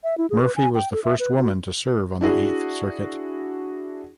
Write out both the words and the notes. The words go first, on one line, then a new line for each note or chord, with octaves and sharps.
Murphy was the first woman to serve on the Eighth Circuit.
E5
E4
G#4
B4
G#5
G5
A4
E5
B4
F#4
D4 E4 F#4 G#4